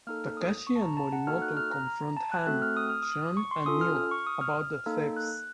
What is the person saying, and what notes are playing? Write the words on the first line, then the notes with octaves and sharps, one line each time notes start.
Takashi and Morimoto confront Han, Sean, and Neela about the thefts.
A#3 D#4 A4 F6
D#6
C#6
A5
A#5
A5
F#5
A#3 D#4 F#4 A4 F6
F#6
F6
A#5
A#5
A5
F#6
A3 C4 F#4 A4 F#6
F6
D#6
F6
D#6
C#6
C6
C#4 F4 A4 D#6
F6
F6
C#6
D#6
F6
A#3 D#4 A4
F#6